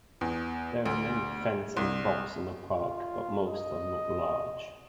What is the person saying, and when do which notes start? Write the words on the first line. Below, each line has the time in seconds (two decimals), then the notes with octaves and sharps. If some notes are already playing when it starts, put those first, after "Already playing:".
There are many fens and bogs in the park, but most are not large.
0.21 E2
0.86 D2
1.77 C2
2.77 F4
3.46 D#5